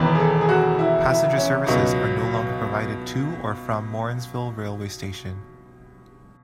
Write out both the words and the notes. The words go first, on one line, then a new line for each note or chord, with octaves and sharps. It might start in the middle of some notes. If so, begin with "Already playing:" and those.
Passenger services are no longer provided to or from Morrinsville Railway Station.
Already playing: E1 E2 D#3 B4
G#4
A4
G#4
F#4
E4
E4
C#4
C#2 B2 F#3 D#4